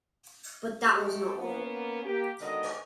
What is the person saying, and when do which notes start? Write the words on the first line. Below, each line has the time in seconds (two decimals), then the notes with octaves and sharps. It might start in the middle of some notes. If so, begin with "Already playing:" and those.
But that was not all.
0.83 G#2 G#3 A3 G4
1.38 A#3 B3 C#4
2.04 A#3 G4
2.40 B2 D3 D#3 G#3 D#5